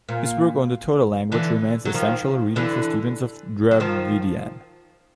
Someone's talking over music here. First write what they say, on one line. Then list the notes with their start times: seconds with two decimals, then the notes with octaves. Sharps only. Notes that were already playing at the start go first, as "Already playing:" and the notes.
His work on the Toda language remains essential reading for students of Dravidian.
0.09 A#2
1.32 D3 E3
1.85 F#3
1.94 D#3 F3
2.56 D3 E3
3.71 F#3
3.80 D#3 F3